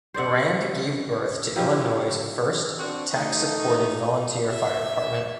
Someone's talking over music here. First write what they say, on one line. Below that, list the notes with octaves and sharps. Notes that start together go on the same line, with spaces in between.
Durand gave birth to Illinois' first tax-supported volunteer fire department.
C5 D5 E5 F#5
F3 F#3 E4 G4
C4 D4 F#4
A3 D#4
E5